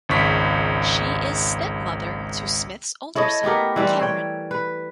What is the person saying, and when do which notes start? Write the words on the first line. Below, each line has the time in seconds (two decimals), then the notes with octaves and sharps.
She is stepmother to Smith's older son, Cameron.
0.09 G#1 C#2 C#6 B6
3.15 E4 A4 C#5 D#5
3.43 A3 B3 G4 A#4
3.76 E3 G3 C4 E4
4.01 C#5 G5
4.51 B4